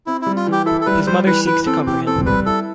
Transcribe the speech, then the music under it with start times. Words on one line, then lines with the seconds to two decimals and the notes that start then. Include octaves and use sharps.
His mother seeks to comfort him.
0.06 C4 E4
0.22 G3 E4
0.36 F4
0.47 E3 G4
0.66 E4 A4
0.81 A4
0.86 G3 B4
1.06 G3 C5
1.27 E3 B4
1.46 E3 B4
1.66 C4 A4
1.87 E3 G4
2.06 C4 A4
2.26 G3 B4
2.46 E4 A4